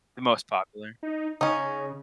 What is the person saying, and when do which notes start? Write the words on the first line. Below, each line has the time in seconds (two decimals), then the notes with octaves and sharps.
the most popular.
1.03 D#4
1.41 C#3 C#4 D#4